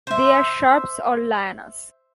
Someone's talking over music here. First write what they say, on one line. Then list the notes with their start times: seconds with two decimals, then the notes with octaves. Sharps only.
They are shrubs or lianas.
0.07 C5 E5